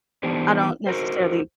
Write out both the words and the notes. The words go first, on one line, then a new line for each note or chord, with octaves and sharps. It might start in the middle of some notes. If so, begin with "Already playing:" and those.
I don't necessarily
E3 B3 D4 D#4 G4 C5
F#4 A#4 C5